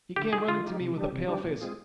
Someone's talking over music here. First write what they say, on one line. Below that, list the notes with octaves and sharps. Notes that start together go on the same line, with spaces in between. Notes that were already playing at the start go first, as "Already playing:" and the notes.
He came running to me with a pale face....
D3 G4
G#3 D#4 G4 G#4
D3 F4
G#3 D#4 G4
C3
G3 D4 G4
C3
G3 D4 G4
A#2
G#3 C4 F4 G#4